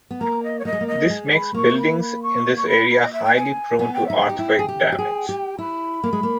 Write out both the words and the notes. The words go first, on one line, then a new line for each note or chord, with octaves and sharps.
This makes buildings in this area highly prone to earthquake damage.
B3
A#3 A#5
D#5
C#5
A#3 D#5
G#3
A#3
D#5
G#3
B5
A#3 C#6
B5
B5
C#6
C#6
B5
B5
D#5
E5
G5
G#5
B3 G#5
G5
D#4 E5
G5
G4
E4
G#4
G4
G4
G#4
G4
E4 B5
A#3
G#3
A#3